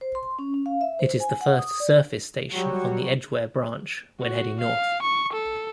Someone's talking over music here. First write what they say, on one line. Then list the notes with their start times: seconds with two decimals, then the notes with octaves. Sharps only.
It is the first surface station on the Edgware branch when heading north.
0.01 C5
0.15 C6
0.39 C#4
0.54 C#4
0.66 F5
0.81 E5
0.99 C5
1.20 G#5
1.41 F#5
1.59 D#6
1.80 D5
2.52 F#3 G3 F#4 G4 C#5
4.20 F#4
4.61 F5
5.02 C#6
5.33 A4